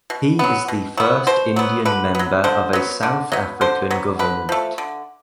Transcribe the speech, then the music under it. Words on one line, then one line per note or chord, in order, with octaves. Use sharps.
He is the first Indian member of a South African government.
B2
F#3 B3
B2
F#3 B3
B2 C5
F#3 B3
D3 B4
F#3 B3
D3 C5
F#3 B3
D3
F#3 B3
D3 C5
F#3 B3
D3 B4
F3 A3
D3